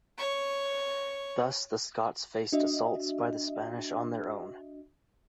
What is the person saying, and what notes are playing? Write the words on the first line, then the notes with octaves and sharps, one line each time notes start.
Thus, the Scots faced assaults by the Spanish on their own.
C#5 C#6
D4 F#4 D#5 E5